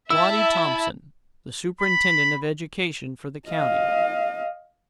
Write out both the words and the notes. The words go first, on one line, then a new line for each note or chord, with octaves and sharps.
Waddy Thompson, the Superintendent of Education for the county.
E4 E5 A5 E6
B5
D#5 F5